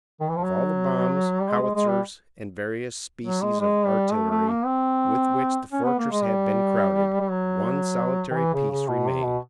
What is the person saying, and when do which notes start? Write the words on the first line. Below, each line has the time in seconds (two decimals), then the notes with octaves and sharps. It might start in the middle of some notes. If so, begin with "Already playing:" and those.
Of all the bombs, howitzers, and various species of artillery with which the fortress had been crowded, one solitary piece remained.
0.21 D#3
0.29 E3
0.36 F3
0.44 F#3
1.41 G3
1.50 G#3
1.62 G#3
1.75 G#3
1.89 G3
3.25 F#3
3.43 G#3
3.60 G#3
3.87 G3
4.13 A3
4.30 A3
4.49 A#3
4.66 C4
5.72 C#4
5.84 B3
5.99 A#3
6.11 G#3
6.24 G3
7.21 G3
7.30 F#3
8.31 D#3
8.35 E3
8.54 C#3
8.71 C#3
8.88 B2
9.07 C3
9.24 B2